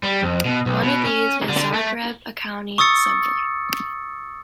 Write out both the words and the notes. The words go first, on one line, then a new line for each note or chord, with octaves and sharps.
One of these was the Zagreb County Assembly.
G3
F2
B2
B1
B2
C#4
D3
A3
C#6 D#6 E6 A6 C#7